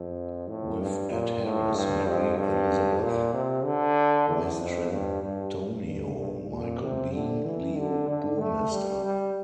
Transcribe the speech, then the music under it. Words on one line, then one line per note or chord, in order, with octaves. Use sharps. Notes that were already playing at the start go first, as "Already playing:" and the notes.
With Ed Harris, Mary Elizabeth Mastrantonio, Michael Biehn, Leo Burmester.
Already playing: F2
A2
G2
A#2
A2
G2
F2
G2
A#2
C3
D3
E2
F2
G2
G2
G2
G2
A#2
C3
D3
E3
D3
D3
A3
G3
G3